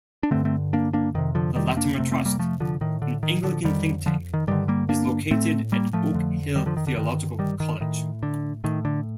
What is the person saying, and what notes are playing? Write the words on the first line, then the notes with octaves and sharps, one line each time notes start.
The Latimer Trust, an Anglican think tank, is located at Oak Hill Theological College.
D4
G2 D3 A3 C4
A3 C4
A#3 D4
A#3 D4
F2 C3 D#3
D3 F3
D#3 G3
A#3 D4
F2 C3 A3 C4
A3 C4
G3 A#3
F3 A3
D3 F3
A2 D#3
D3
D#3
D3 F3
F2 D3 D#3 G3
D3 F3
D#3
G2 D3 D#3 G3
G3 A#3
A#3 D4
A2 A3 C4
G3 A#3
F3 A3
F2 D3
D#3 G3
D3 F3
D#3
D3
G2 D3 D#3
D#3 G3
D#3
A2 D#3
D3
A2 D#3
D3